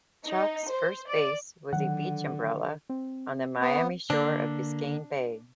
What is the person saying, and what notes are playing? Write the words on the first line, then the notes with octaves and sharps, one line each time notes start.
Chalk's first base was a beach umbrella on the Miami shore of Biscayne Bay.
D#4
C5
D5
D3 D#3 F#3 F#5
C4
B3
D3 A#3 D4